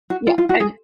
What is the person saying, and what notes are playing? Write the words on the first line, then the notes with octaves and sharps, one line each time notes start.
Yeah, and
F#4
F4
F4
F#4
G#4